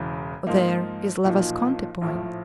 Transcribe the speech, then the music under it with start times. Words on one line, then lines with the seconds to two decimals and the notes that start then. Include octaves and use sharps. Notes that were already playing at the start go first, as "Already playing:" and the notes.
There is Le Vesconte Point.
Already playing: E1 E2 C#3
0.47 G#2 F3 A#3 D#4
1.24 B1 A#2 F3 A#3 D#4
2.01 A#1 A2 F3